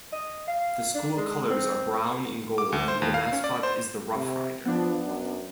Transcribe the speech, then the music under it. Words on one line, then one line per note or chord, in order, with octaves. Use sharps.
The school colors are brown and gold and the mascot is the Roughrider.
D#5
F5
D4
G#3
C4
D6
D2
C5
D#2
F5
C#4
D5
C5
C3
F3 B3 D4
F#2